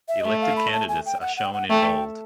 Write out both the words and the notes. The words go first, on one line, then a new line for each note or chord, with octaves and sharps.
Elected candidates are shown in bold.
E5
D#5
A3 E5
F5
B5
A5
G#5
G5
F#5
F#5
G5
F#5
A3 G5